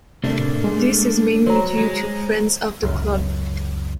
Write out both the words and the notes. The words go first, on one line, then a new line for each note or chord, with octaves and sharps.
This is mainly due to Friends of the Club.
C3 A3 A#3 D4
A2
G#3
F#3 C5 C#5 A#5
G#3
C#2 F#2